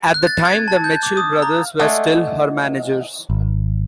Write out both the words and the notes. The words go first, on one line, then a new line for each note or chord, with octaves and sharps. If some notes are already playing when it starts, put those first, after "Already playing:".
At the time the Mitchell Brothers were still her managers.
F#6
A6
G#6
A5
G6
D6
D#6
A#5
G#3 A3 D4 A4 D#5 E5 F#5
G#1